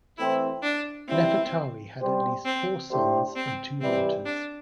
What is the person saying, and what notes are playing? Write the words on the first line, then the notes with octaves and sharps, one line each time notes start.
Nefertari had at least four sons and two daughters.
E3 A3 C4 E4
D4
E3 G3 C4 E4
G3 C4 G4 C5
C4
A2 A3 D4 G4 C5
C4
C3 E3 G3 C4
D4